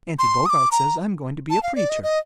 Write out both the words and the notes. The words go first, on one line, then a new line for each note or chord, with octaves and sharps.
Auntie Bogart says I'm going to be a preacher.
C6
D#6
D6
A#5
A5
F5
D5
D#5
D#5